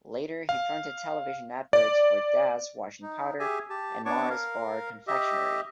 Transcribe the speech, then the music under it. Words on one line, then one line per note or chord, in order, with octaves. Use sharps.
Later he fronted television adverts for Daz washing powder and Mars bar confectionery.
F5
D5
D#4
G4 G#4 E5 G#5
G4 A5
B3 D4 C#5 A5 C#6 D6
A#4 F5
G4 D#5 E5